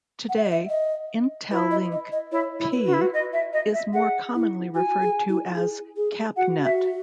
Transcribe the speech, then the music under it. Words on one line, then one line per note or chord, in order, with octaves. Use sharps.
Today, Intelink-P is more commonly referred to as CapNet.
F#5
E5
D#5
E5
D#5
E4 B4
D#5
D#5
D#5
E4 C#5
E4
B4
F#4
E4
F#4
D#5
E5
D#5
E5
G#4 F#5
E4
F#4 G#5
G#4
E4
G#4
G#4
F#4 F#5
E5